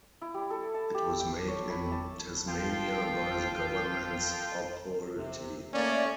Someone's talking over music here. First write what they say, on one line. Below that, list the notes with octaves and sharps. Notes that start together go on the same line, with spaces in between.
It was made in Tasmania by the government's authority.
E4
G3
A4
A5
G4
G5
C#5
B5
A5
F3 F4 A4 G5
C3
A3 A#3 C#4 D5